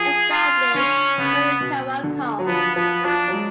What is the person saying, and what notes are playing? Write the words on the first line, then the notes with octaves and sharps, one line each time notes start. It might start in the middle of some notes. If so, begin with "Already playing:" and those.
Established Marukawa Conf.
Already playing: F3 G#4
F4
D3 C#4
C#3 B3
B2
D3
F#3
F3 B3
F3 B3
F3 D4
F#3
G#3